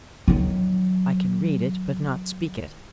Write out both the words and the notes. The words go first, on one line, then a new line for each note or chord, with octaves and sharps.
"I can read it, but not speak it."
D#3 F#3